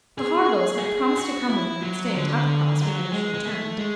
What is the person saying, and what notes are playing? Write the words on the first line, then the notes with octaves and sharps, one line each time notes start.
The Harvilles had promised to come with her and stay at Uppercross, whenever she returned.
G#4
F#4
G#4
F#4
E4
F#3
D3
F#3
G#3
G#3
A3
G#3